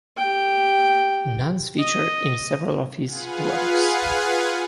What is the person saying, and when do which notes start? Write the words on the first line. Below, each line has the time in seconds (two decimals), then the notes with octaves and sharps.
Nuns feature in several of his works.
0.17 G4 G5
1.79 D#5
3.06 F4 G#4 B4 F5 F#5 G#5